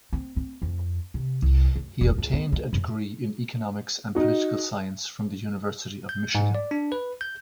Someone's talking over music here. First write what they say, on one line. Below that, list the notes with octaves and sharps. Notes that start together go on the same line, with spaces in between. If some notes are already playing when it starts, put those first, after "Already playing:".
He obtained a degree in economics and political science from the University of Michigan.
C4
C4
F2
C3
C2
F#2
E1
C#2
B3
D#4
F#2
D#4 F#4
G6
G#2
D5
D4
B4
G6